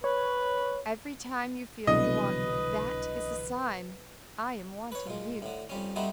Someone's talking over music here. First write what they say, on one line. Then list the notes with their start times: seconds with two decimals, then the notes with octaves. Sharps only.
Every time you feel you want me, that is a sign I am wanting you.
0.04 B4 C#5
1.87 C2 B2 D3 E3 F#3 B4 D#5
4.92 B4 C#5
5.07 A#2 G#3
5.42 A2 D3
5.69 F2 G3 C#4
5.96 G3 A3 C4 D#4 E4 F#4